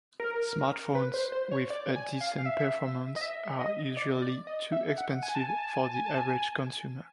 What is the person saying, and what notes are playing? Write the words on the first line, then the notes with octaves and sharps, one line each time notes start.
Smartphones with a decent performance are usually too expensive for the average consumer.
A#4
B4
C5
C5
C#5
D5
G#5
F5
F5
E5
D#5
E5
D#5
D5
D5
D#5
E5
F#5
G#5
A5
G#5
A5
G#5
A5
G#5
A5
G#5